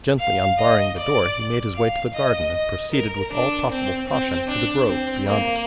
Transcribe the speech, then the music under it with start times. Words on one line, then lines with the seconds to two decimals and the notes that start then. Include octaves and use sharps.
Gently unbarring the door, he made his way to the garden, and proceeded with all possible caution to the grove beyond it.
0.19 F5
0.59 D#5
0.97 D5
1.76 F5
2.14 D#5
2.54 D#5
2.92 A#4
3.32 D4
3.70 C4
4.09 C4
4.48 D4
4.88 C4
5.27 A#3